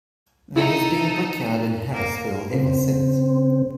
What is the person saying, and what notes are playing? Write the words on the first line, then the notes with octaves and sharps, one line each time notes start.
There has been a brickyard in Harrisville ever since.
D#4 E4 A4
A#3 A#4
C#3 C4